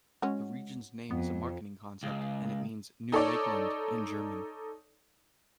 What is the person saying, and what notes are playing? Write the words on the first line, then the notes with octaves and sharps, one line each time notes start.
The region's name is a marketing concept and it means "New Lakeland" in German.
G#3 C#4 F#4
F2 B3
C#2
D#4 A4 C#5 D5